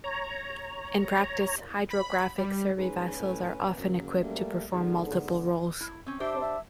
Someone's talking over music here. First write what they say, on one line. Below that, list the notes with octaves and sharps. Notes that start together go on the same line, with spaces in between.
In practice, hydrographic survey vessels are often equipped to perform multiple roles.
C#5 A#5
B5
G3
G#2 C#4 B4
A2
F#2 C#3 A#3
G3 A3 A#3
G#2 D3 B3
E4
C4 C#4
D4 G4 C5 E5
E5